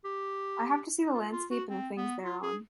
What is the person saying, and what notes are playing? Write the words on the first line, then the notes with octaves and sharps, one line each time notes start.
I have to see the landscape and the things thereon.
G4
F4
F4
F#4
C4
B3
F4
G#4